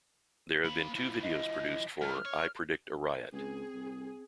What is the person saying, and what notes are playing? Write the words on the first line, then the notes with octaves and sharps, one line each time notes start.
There have been two videos produced for "I Predict a Riot".
A#3 B5
F3 E4
D#5
G2 F6
C#5
C#2 C4 G#4
C2